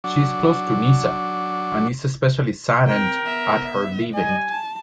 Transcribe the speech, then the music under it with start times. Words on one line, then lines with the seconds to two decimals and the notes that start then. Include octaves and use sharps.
She is close to Nyssa, and is especially saddened at her leaving.
0.04 F#3 D4
2.87 C4 A#4 G5
3.23 B3 E5
4.14 G3 D#5 G#5
4.48 A5